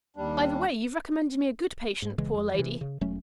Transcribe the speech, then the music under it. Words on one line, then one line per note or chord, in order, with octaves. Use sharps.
'By the way, you've recommended me a good patient, poor lady!
D#2 G3 D4
G#2
A#1 C#3 E3 G#3
F2 G#3
C3 E3
C#3
E1 F#3 A3 C#4